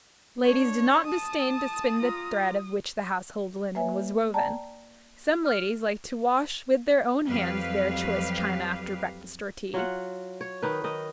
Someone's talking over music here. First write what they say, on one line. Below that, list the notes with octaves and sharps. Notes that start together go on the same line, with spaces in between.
Ladies did not disdain to spin the thread of which the household linen was woven. Some ladies liked to wash with their own hands their choice china after breakfast or tea.
D4 C#5
A5 D#6
F4 A#5
A#3 B4 C#5 E5 G#5
D5 G5 A5 A#5
F6
F2 F#3 G3 G4 B4 F5
F#3 F4 F#5
C#5
D#3 D#4 B4
D#3 D#5